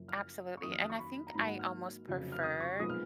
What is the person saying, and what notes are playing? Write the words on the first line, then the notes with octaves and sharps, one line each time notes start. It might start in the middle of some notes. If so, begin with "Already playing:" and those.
Absolutely, and I think I almost prefer
Already playing: F#1 F#2 F3
F6
C#6
F2 D#3 F#3 A#3 D#6
F6
D#6
C#6
B5
A#5
G#1 G#2 F#3 A#3 B5
F#5
F6
F1 F2 C#3 F#3
F6
D#6
C#6
B1 A#2 F3 G#3 B3 D#6
F6